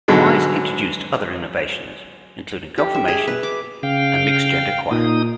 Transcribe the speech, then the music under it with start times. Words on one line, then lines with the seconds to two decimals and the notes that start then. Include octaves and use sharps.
Wise introduced other innovations, including confirmation, a mixed-gender choir.
0.08 G#2 B2 D3 F#3 G#3
2.78 G4
2.95 E5
3.08 G#4
3.28 B4
3.43 D6
3.83 C#3 F5 G5
4.91 A#2 D#4 D#6